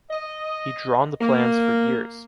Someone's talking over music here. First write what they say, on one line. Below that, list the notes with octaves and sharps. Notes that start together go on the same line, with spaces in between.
He drawn the plans for years.
D#5
A#3